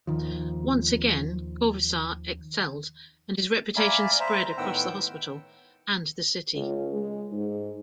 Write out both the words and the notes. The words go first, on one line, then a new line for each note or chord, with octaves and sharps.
Once again, Corvisart excelled and his reputation spread across the hospital and the city.
D#2 D#3 F3
D5 E5 F5 G#5 A#5 B5
C5 E5 A#5
A2 D#3 B3 F#5 G5 E6
C#2
G#3
G#2